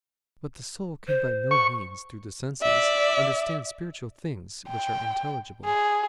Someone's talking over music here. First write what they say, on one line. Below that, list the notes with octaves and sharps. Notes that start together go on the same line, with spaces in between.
But the soul can by no means, through the senses, understand spiritual things, which are intelligible.
C5
C#6
D5 E5
G5
G#4